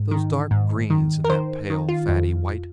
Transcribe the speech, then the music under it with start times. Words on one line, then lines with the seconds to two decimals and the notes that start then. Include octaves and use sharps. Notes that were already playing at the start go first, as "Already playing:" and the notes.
Those dark-greens, and that pale, fatty white!
Already playing: G#2
0.11 D#3
0.51 G#2
0.90 D#3
1.24 A#4
1.29 D#3 C5
1.70 D#3
1.89 F4
2.09 F2